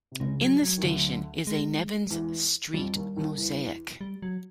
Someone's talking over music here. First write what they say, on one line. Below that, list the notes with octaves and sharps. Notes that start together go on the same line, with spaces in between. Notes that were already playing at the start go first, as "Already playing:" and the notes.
In the station is a "Nevins St." mosaic.
C3
C#2 C#3 G#3
F#3
F#3
D#3
D2 D3
G#3
E2 E3
F2 F3 G3
D#2 D#3
D#2 D#3
E2 E3
G3
F#3